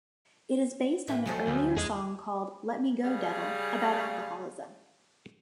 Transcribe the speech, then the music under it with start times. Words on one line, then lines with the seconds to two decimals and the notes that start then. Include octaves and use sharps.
It is based on an earlier song called "Let Me Go, Devil", about alcoholism.
1.08 A2 E3 E5
1.26 D#2 F3 F#3 A4 G#5
1.47 D2
1.77 E2 G#4 D#5
3.03 C#3 G3 G#4 F5